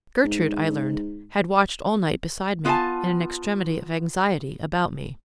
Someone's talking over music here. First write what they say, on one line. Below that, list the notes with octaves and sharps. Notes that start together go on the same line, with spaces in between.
Gertrude, I learned, had watched all night beside me, in an extremity of anxiety about me.
G#2
B3 F4 D#5 F#5 G#5 A5